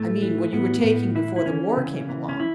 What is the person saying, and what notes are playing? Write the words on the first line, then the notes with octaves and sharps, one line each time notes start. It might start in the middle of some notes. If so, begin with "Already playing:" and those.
I mean what you were taking before the war came along.
Already playing: A2 A3
E3
A2 B3
A2
E3 E4
E4
E3 C#4
C#3
E3
C#4
E4